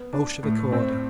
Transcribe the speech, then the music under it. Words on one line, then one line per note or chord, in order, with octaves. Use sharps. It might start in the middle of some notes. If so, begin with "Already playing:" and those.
Bolshevik order.
Already playing: B3
D4
A2
C4